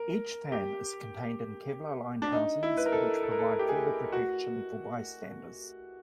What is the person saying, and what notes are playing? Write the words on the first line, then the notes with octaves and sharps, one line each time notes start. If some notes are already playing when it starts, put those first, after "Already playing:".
Each fan is contained in Kevlar-lined housings which provide further protection for bystanders.
Already playing: A#4
G4
D4
D#4
E4
B4
A#4
A4
A4
A#4
A4
G4
G#4
F#4